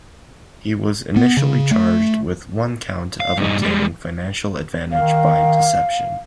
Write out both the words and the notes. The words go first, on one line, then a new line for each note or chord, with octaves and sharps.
He was initially charged with one count of obtaining financial advantage by deception.
B3
C#3
A3
F5
G2 D#4
G3 G#3
D#3 F5